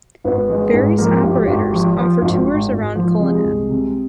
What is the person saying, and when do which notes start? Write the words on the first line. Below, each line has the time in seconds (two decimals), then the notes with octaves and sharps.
Various operators offer tours around Cullinan.
0.24 G#1 B3 B4
0.49 G#3
0.74 G#2
0.98 F3 A#3 A#4
1.18 G4
1.23 G#1
1.35 G4
1.47 G#1
1.54 G4
1.73 F3
1.96 F3
2.22 G#1
2.46 G#2
2.71 G#1
2.95 F3
3.19 C3 G#3 G#4
3.45 C2
3.69 C3